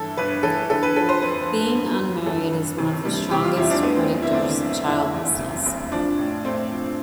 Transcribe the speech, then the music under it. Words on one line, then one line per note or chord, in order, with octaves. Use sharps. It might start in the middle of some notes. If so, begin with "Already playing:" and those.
Being unmarried is one of the strongest predictors of childlessness.
Already playing: G1 E3 E4 A4
G1 B4
E3 A4
D3 A4
B4
F3 A4
C5
F2 B4
F2
G1
F2
G1 A4
G1
C3
G3
C3 G4
F4
E2 E4
D4
A3 B3
C4
B1
E4
C4
A3 D4
B1
F1 E4
E2
C3
F1
F3 D4
A2
A3 C4
F3